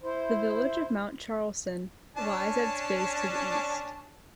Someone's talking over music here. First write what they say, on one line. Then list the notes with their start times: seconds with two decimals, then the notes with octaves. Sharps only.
The village of Mount Charleston lies at its base to the east.
0.03 E4 C5
2.16 C#4 D4 A5